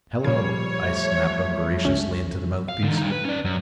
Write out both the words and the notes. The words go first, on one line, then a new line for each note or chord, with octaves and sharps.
"Hello!" I snapped ungraciously into the mouthpiece.
A#2 F3 G3 C#5 G#6
A3
C#2 C#4
F5
D3 D#3
G3 D#4
B4
C#4 D5
F#2